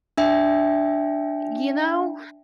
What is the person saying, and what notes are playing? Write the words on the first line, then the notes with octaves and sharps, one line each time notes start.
You know,
D4 E5 G5